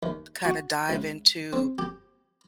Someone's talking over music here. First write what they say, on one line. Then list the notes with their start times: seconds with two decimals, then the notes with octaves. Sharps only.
kinda dive into,
0.03 D#2
0.45 F#4
0.90 C#2
1.53 C4
1.78 G4